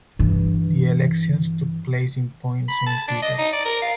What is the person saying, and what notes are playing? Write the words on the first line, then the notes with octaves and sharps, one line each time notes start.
The elections took place in Point Saint Peters.
G2 E3
B5
A5
D4
D#5
D#4
D5
A#4
F5